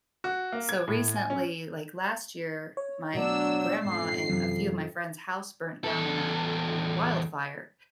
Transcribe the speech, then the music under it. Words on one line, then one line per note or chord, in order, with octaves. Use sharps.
so, recently, like, last year, my grandma and a few of my friends' house burnt down in a in a wildfire,
F#4
A#3
G#6
A2
G#5
C#4
C#5
B2 F#3 A3 B3 D4 E6
F2 G#2 C7
F#2 C3 E3 F#3
E2 A4